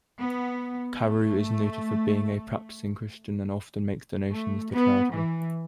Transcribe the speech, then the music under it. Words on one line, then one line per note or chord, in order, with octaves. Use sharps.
Carew is noted for being a practicing Christian and often makes donations to charity.
B3
A3
A3
B3
E3